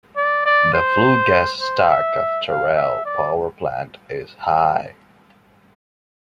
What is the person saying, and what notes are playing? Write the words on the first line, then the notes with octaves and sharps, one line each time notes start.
The flue gas stack of Teruel Power Plant is high.
D5
D5
C5
C5
E5
F5
E5
D5